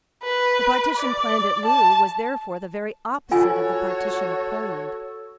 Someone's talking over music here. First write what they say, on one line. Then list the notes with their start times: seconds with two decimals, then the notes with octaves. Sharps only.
The partition planned at Loo was therefore the very opposite of the partition of Poland.
0.23 B4
0.97 D5
1.65 A5
3.31 F4 F#4 A4 C#5 G#5